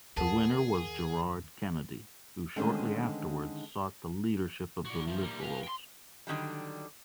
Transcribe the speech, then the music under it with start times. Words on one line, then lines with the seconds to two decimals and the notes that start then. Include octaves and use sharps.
The winner was Gerard Kennedy who shortly afterwards sought the leadership of the Liberals.
0.17 D#2 G#4 A#4 C5 F#5 A5
2.56 D3 D#3 G#3 A3 C4 C#4
4.86 F#4 D5
5.07 E2 F3
5.21 G3 A#3
5.40 B4 F5
5.64 G5 C6
6.27 D3 D#3 F#3 G3